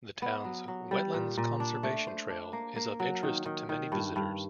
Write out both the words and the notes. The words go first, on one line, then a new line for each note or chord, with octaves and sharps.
The town's Wetlands Conservation Trail is of interest to many visitors.
B3
F#3
F#3
G3
A#2
A#2
D4
A3
C5
D4
A#3
A#3
F#3
D#3
D#3
D#3
G2
G2